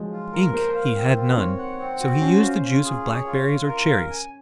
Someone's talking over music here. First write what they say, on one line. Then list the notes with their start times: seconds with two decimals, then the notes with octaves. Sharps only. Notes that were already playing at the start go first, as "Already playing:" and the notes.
Ink he had none, so he used the juice of blackberries or cherries.
Already playing: F3 F#3 G#3
0.12 F4
0.33 A#4
0.53 A#3 C5
0.75 F5
0.95 C4
1.17 F4
1.37 C4 C#5
1.58 F#5
1.79 C4
2.00 F#4
2.21 C#4 C5
2.42 F4
2.63 F4
2.84 G#4
3.05 C#5
3.26 F4
3.46 F4
3.68 A#4
3.88 F5
4.10 G#5